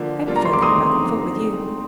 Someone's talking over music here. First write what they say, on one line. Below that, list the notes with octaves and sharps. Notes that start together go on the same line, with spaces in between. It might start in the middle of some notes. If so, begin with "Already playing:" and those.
"I prefer coming back on foot with you."
Already playing: D3 F3 A#3
G3 A#3 D4 F4 A4
A#5
C6
D6
D3 A3 C4 D#4 C6 D#6